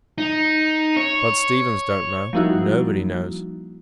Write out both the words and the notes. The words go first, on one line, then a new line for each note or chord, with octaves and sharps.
Bud Stevens don't know--nobody knows.
D#4
C#5
F3 G3 A#3 D#4 E4 F#4